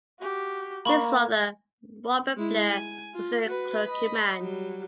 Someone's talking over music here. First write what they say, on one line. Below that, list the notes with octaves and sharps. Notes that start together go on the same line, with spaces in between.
His father, Robert Blair, was a clergyman.
F#4 G4
A#3 A#5 B5 C#6
G#3 E4
G#5
F4
F#4 B4
D#5 B5
F#3 G3